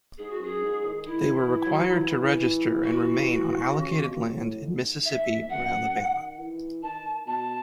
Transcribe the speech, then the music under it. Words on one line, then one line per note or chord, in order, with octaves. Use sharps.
They were required to register and remain on allocated land in Mississippi or Alabama.
G#2 G#4
F#4
F#2 G#4
G#2
D#3
D#3 E4
E3
F#3
E3
F#4
C#3
B2
C#3
B2
A2
G#2
E5
F#2 F#5
D#3
E3
D#3 A5
B2 A5